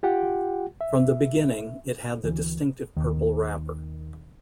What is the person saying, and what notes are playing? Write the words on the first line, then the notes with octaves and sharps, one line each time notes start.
From the beginning, it had the distinctive purple wrapper.
F4 G4 F#5 G5
E5
D2 E3
D#2 D#3